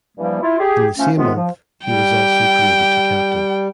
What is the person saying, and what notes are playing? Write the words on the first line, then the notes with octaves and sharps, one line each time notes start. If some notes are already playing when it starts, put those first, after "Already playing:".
In the same month he was also promoted to captain.
G2 E3 F3 G3 A#3
E4 F4
G4 G#4
F3 A3 C#4
F#2 C3 D#3 G#3 B3 F4
F3
G3 G5